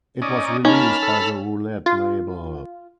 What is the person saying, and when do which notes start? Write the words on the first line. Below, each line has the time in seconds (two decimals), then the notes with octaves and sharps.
It was released by the Roulette label.
0.22 C#4 D#4 D5 D#5
0.65 A#3 C#4 D#4 A5 B5 F6
1.03 A4
1.86 F4